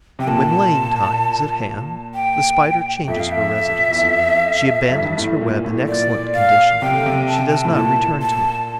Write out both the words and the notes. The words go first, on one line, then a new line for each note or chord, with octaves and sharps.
When laying-time is at hand, the Spider changes her residence; she abandons her web in excellent condition; she does not return to it.
C3 G5
A#2 A5
G5
F2 E5
F5
E5
E2
F2
F2
G2
A2
A#2
A2
A#2 D5
F5
C3 G5
D3
C3
A5
G5
A5
A2
A#2 A5
A5